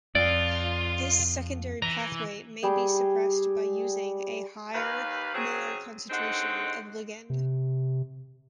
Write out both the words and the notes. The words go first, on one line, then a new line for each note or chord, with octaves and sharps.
This secondary pathway may be suppressed by using a higher molar concentration of ligand.
F2 F4 D5
E3 A#5
G3 G#4 G5
D#2 B4 F5
C#3 F#3 C4 G#4
D#2 D3 G#3 C4 D#4 F#5
C3